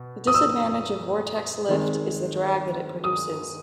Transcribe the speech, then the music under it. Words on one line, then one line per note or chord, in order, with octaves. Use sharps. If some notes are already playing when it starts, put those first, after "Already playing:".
The disadvantage of vortex lift is the drag that it produces.
Already playing: B2
D#6
E6
D#3 G#3 C4
D#6